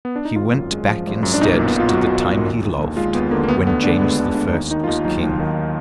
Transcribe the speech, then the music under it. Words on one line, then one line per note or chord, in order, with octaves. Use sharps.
He went back instead to the time he loved, when James the First was King.
B3
D4
D#4
G#1 F4
F#2
G#3
F3
G#1
F#2
D4
B1 D#4
A#3
A#2
B3
B1 F4
F#4
F#3 F4
B1
A#2
D#2
D3
D#2
G#3 F4
D#2 B3
D3 A#3
A#3
D2 B3
D3 B3
D2 D4
G#3 B3
D2 D4
D3 D4
D4
D#2 D#4
D#3 D#4
F4
D#2 D#4
F#3 D#4
D#2
D#3